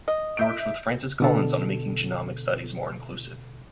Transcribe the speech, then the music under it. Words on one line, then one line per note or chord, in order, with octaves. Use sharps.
He works with Francis Collins on making genomic studies more inclusive.
D#5
E5 G6 D7
B2 D3 A4